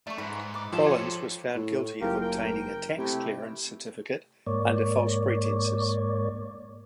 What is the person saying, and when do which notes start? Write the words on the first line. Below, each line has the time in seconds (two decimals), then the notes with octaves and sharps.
Collins was found guilty of obtaining a tax clearance certificate under false pretences.
0.07 A3 D5 C#6
0.18 G#2 B4 B5
0.54 B4 D6
0.73 F3 G4 A4 C5
0.86 C#5
1.55 A2
2.01 F#1 F4 G4 A#4
2.21 A#4 G5
2.98 C3 A3 E4 G4
4.46 G#2 A#3 C#5 D5